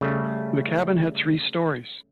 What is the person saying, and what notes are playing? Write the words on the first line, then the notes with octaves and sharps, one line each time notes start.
The cabin had three stories.
C#3 G3 A3